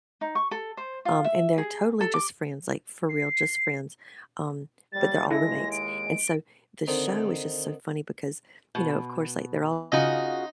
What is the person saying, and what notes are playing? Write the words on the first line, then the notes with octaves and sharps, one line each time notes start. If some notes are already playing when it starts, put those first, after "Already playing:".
Um, and they're totally just friends, like for real just friends, um, but they're all roommates and so the show is just so funny because, you know, of course like they're all
D#4
C#6
A4
C5
F4
E5
G#4
A4
D6
C7
D#2 G3 A6
D#2 G#3 E4 A4 A#6
D7
D3 D#3 C4 D#4
B2
C#3 D#4 F4 F#4 D#5